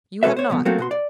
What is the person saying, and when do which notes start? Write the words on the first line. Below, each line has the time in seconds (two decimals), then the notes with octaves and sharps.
You have not.
0.23 B2 G#3 F#4 A4 B4 E5
0.37 C5 C#5
0.50 C2 F2 B2
0.65 F#3 A3 A#3 C4 F#4 A4
0.78 B2 F#4 C6
0.91 D5